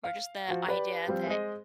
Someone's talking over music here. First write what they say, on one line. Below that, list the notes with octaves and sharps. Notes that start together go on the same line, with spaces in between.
or just the idea that
F5
F3 F#4
G4 B4 D5
F3 G3 C4 G4
G#3 C5 D#5